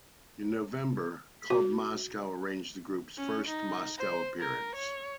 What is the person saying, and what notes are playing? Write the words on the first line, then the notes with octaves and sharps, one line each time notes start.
In November, club "Moscow" arranged the group's first Moscow appearance.
F#4
C#4
D#4
C5
A#4
C#5